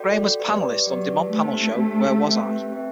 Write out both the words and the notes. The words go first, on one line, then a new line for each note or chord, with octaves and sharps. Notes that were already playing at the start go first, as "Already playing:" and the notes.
Graham was a panelist on the DuMont panel show Where Was I?
Already playing: F#4 A4 D5 G5
G4 B4 D5
F#3 G4 B4 D5
A3 D4 G4 C5
D4 G4 C5
C4 G4 B4 E5 G5
C4 G4 B4 E5 G5